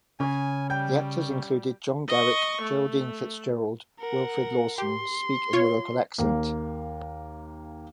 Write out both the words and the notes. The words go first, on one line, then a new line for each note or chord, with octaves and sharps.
The actors included John Garrick, Geraldine Fitzgerald, Wilfrid Lawson speak in the local accent.
C#3 C#4 G#5
G3 G5 G6
D#5 C#6
A3
A#4 F#5
G4 C6
F4 C#5
D#2 A#3